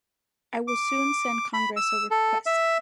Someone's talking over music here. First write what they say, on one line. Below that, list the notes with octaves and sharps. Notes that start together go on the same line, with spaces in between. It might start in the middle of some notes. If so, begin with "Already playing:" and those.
I will soon send Congress a request.
D6
B5
E6
A4
E5